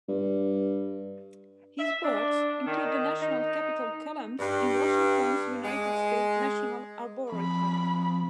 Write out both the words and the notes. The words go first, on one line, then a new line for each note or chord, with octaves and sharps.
His works include the National Capitol Columns in Washington's United States National Arboretum.
G2
E5
D4
D#3
D#4
G2
G#3
F3 C4 B5